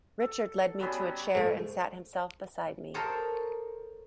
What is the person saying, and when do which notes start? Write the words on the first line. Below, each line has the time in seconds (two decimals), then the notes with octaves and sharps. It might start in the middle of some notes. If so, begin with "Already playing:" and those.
Richard led me to a chair and sat himself beside me.
0.20 A4
0.80 F#3 G3 B3 C#4
1.35 G#2 A3
2.94 A4 A#4 C5 C#5 D#5